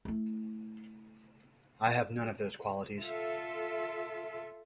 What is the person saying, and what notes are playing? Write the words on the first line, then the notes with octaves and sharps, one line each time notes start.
I have none of those qualities.
A3 E4
F4 A4 E5